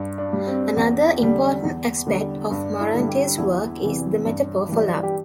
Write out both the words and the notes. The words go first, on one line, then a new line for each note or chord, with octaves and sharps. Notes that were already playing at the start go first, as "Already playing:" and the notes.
Another important aspect of Morante's work is the metaphor for love.
Already playing: G2
D4
G3
C4
E2
D3 G3
E2
D3 G3
G2 D4
E4
D3
G3
G4
E2 E4
C3 E3
G2
E3 G3
G4